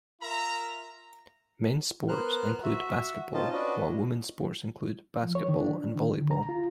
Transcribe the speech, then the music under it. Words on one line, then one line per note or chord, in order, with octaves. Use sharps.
Men's sports include basketball; while women's sports include basketball and volleyball.
F4 A#4 E5 A#5
B3 A#4 C5 F6 F#6
F#4 E5
C4 C#4 D#4 F4 D#5 A5
C#4 D4 F#4 B4 D#5
F3
C#5
D#3
D4
D#3
D3
A#5
F4